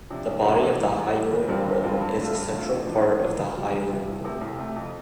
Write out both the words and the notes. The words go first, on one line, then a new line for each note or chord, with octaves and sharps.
The body of the hyoid bone is the central part of the hyoid bone.
C3 F3 D4
C2
C3 F3 D4
A1
A2 G3
A1
A2 G3
G1
G2 G3 C4 F4
G1
G2 G3 C4 F4
G2
D3 A3 F4
G2
D3 A3 F4
A1
A2 F3 D4
A1
A2 F3 D4
D2
C3 G3 F4
D2
C3 G3 F4
C2
C3 A3
C2
C3 A3
F2